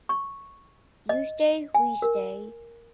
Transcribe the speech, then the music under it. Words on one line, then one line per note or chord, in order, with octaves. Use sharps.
You stay, we stay.
C#6
D#5
G#5
A#4